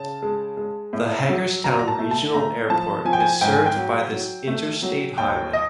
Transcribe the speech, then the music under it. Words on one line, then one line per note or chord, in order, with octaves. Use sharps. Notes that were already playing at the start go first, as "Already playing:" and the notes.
The Hagerstown Regional Airport is served by this interstate highway.
Already playing: C#3 A5
G#3
G#3
A2
F#3
F#3 A#5
A#5
A5
A3
A5
A3 A#5
F3 A5
F3 G#5
G5
G#5
G#2 G5
G#5
G5
F#3
F#3
A3
F#3
D#2 G5
D#5